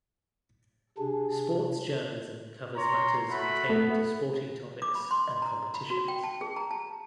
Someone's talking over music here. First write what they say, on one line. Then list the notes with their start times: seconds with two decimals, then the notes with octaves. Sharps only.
Sports journalism covers matters pertaining to sporting topics and competitions.
0.98 C3 D4 G#4
2.76 C#5 A#5 C6
3.31 A3 F#4 B5
3.69 A3 B3
4.82 D6
4.95 B5
5.11 C6
5.28 D#5
5.42 A#5
5.74 B5
5.90 F#4
6.08 G5
6.23 A5
6.41 G#4
6.56 A#5
6.71 A5